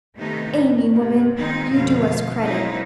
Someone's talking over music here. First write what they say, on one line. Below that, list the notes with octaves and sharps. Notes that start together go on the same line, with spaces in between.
'Amy, woman, you do us credit!
C3 D#3 A3 B3 D#4
A2
G2 C3
A#2 D#3 G#3 C4 D#4
F2 B2 D3 F5
F#3 G#3 A#3 C4 D#4 E4